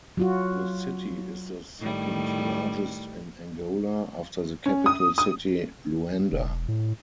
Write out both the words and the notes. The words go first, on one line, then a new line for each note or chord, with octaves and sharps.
The city is the second largest in Angola, after the capital city, Luanda.
F#3 F4 F#4
A2 D#3 G3
C#4
D#6
D#6
E1
A2